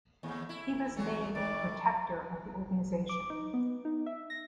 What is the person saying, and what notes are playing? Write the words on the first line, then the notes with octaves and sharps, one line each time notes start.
He was named the Protector of the organization.
D#2 A2
E4
E2 F#3 A3
A2 D#3 D5
D6
D#4
B3
D#4
E5
A#6